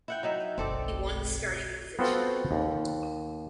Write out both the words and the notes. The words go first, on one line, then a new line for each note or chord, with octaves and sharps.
He won the starting position.
E4 F#5 G5
F#3 D#4 E5
F#1 B1 C4 A4 D5
B3 C4 F4 F#4 A4 C5
D#2